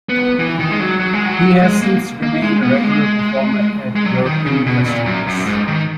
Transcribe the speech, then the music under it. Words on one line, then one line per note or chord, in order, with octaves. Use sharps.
He has since remained a regular performer at European festivals.
B3
E3
D#3
G#3
F#3
F#3
G#3
F#3
G#3
A#3
A#3
G#3
B3
A#3
G#3
G#3
F#3
D#3
C#3
B2
A#2
F#2
F#2
G#2
D#3